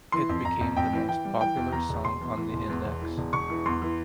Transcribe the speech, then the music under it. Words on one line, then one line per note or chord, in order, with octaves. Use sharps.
It became the most popular song on the index.
E3 C6
F2
F2 A#5
F2
F2 G5
E3
E3 G5
G3
E3 G5
E2
E2 A#5
E1
E1 C6
E2
E3
E1
E2
E1
E3
E1
E1 C#6
E3
E2 C6
E3